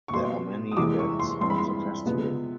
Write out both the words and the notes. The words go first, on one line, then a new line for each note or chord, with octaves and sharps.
There are many events at the festival.
C#6
B2 G3 B3 C6
D#6
E2 C3 E3 G#3 D6
C#6
C6
G2 E3 G#3 C4 C6
B5
C6
C3 F3 G#3 B3